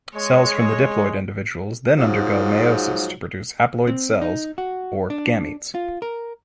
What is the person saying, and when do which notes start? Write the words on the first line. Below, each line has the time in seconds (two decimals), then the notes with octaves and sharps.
Cells from the diploid individuals then undergo meiosis to produce haploid cells or gametes.
0.14 G#3 C#5
1.97 G#2 F3 F#3
3.87 C4
4.22 D#4
4.58 F#4
5.10 D4
5.75 F4
6.02 A#4